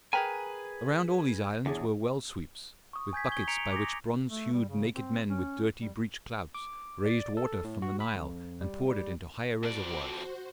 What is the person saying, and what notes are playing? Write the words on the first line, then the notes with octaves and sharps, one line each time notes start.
Around all these islands were well-sweeps, with buckets by which bronze-hued naked men with dirty breech clouts raised water from the Nile and poured it into higher reservoirs.
G#4 A#4 B4 G5 G#5 A#5
E2 D4 G#4 C#5
C#6 D#6
G#5 G6 G#6 B6
C#6 G#6 G7
A#5 B6 C#7 D7 F7
D6 D#6 A#6
A3
G3
C#3
C4
C#4
G3
D6
D5
A4
A2
F#4
B5
F2
G3
G3
F2 F#4 C5 D5